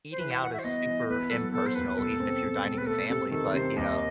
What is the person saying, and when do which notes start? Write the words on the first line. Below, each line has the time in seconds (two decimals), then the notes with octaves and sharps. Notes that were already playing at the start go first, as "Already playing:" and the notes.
eating out is super impersonal, even if you're dining with family. But, you know,
0.12 C5
0.19 E3 B4
0.31 F#5
0.42 F#4 F#5
0.53 E5
0.59 C5
0.64 B3 D#5
0.87 E3
1.08 B3 B4
1.30 F#3 A4
1.52 B3 A4
1.66 C5
1.75 D#2 B4
1.98 B2 A4
2.20 C4
2.43 C4
2.65 B2
2.78 B4
2.86 A3 A4
3.09 C3 A4
3.31 D#3 A4
3.54 C3 C5
3.76 D#2 D#5